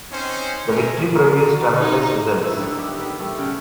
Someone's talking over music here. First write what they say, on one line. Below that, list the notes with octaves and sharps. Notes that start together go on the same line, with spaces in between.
The victory produced tremendous results.
C4 C#4 D#4 C5
A3 C4 C#4 A#4
F#4 A4 A#5
D#4
A3 E4
D3 G3 A#3 D#4
B3 G4 E5 F#5
D#3 B4
G3 A3
C#3 F#5 G5